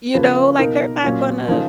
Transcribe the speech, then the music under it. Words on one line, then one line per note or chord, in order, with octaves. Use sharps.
You know? Like, they're not gonna
C#3 F3 A#3 F4 B4
B2 A#3 D#4 A#4
A#2 F#3 C#4 F4
C#3 F3 A#3 D#4 G#4